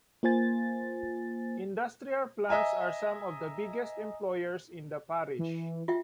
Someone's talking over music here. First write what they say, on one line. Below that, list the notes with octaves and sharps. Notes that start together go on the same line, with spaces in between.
Industrial plants are some of the biggest employers in the parish.
A#3 F4 C5 G#5 A6
D#5 E5 G#5 A#5
E3
F4 E5 G5